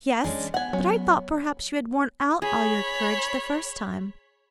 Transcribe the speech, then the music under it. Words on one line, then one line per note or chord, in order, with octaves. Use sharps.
"Yes, but I thought perhaps you had worn out all your courage the first time."
G#3 C#4 D4 G#4
B3 F#5 G#5
F#3 C#4
G#4 C#5 B5